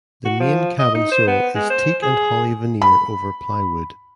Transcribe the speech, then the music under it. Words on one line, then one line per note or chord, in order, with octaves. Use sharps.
The main cabin sole is teak and holly veneer over plywood.
F#4
F3
D#5
D#4
C5
B3
G#3
C5
G#4
B5